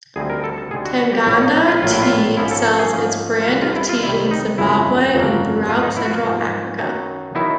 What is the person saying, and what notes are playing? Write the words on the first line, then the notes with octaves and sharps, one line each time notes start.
Tanganda Tea sells its brand of tea in Zimbabwe and throughout central Africa.
D2 D3 G3 C4 D#4 G#4
A#4
A4
A4
D2 D3 G3 C4 D#4 G#4
F#4
F#4
G4
A#1 A2 F#3 A#3 E4
D#4
F4
A#1 A2 F#3 A#3 F4
E4
F4
G#2 F3 A#3 C#4 E4
A4
A4
G#4
G#2 F3 A#3 C#4
F4
C2 C3 D#3 G3 F#4
F4
E4
F4
C2 C3 D#3 G3 E4
D#4
G1 F2 C#3 F#3 A#3 E4
G1 F2 C#3 F#3 A#3
G#2 F3 A#3 D#4 F4
D#4
E4
F#4
F4
G#2 F3 A#3 D#4
F#2 D#3 F#3 B3 D#4
D#3 F#3 B3 D#4 E4